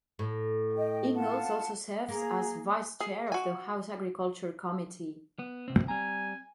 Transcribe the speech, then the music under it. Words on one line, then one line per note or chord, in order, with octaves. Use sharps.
Ingels also serves as vice chair of the House Agriculture Committee.
A2
D#5 G5
F4 F#5 A5
A#3 G#4 A#5
G#4
F#4 G#5
B3
C#2 C3 C4
G3 C4 G#5 A#5